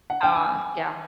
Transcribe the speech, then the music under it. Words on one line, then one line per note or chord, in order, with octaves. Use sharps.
Ah. Yeah.
F#5
G5
G#5